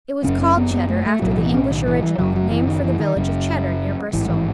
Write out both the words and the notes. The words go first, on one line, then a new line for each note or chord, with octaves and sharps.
It was called Cheddar after the English original named for the village of Cheddar near Bristol.
F#1 F#2 C#3 C#4
C#4
B3
B3
A3
A3
B1 A2 F#3
E3
B3
C#4
D#3
E3
E3
F#1 F#2 C#3 F#3
F#3
E3
D#3
E3
D#3
F#1 F#2 C#3
A1 G#2 E3
E3